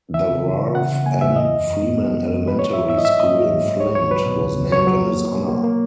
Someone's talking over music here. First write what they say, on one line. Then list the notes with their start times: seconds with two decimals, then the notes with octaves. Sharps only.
The Ralph M. Freeman Elementary School in Flint was named in his honor.
0.14 E3 E5
0.30 C#3
0.46 E3
0.61 E3
0.75 C#3 F#5
0.91 C#3
1.06 A#3 G#5
1.21 E2 E5
1.36 E3 D#5
1.51 F#2
1.67 F#2
1.82 B3
1.97 B3
2.12 G#3
2.29 F#2
2.43 E3 B4
2.59 F#3 C#5
2.73 G#2 E5
2.89 G#2 E5
2.98 D#5
3.05 G#2 E5
3.19 A#3 D#5
3.35 F#3
3.50 G#2
3.65 G#2
3.80 C#2 C#5
3.95 F#3 C#5
4.10 F#3 B4
4.26 B2
4.41 C#2
4.56 C#2
4.72 F#3 C#5
4.87 F#3
5.03 A#3
5.17 F#3
5.32 B2
5.48 A#3
5.64 A#3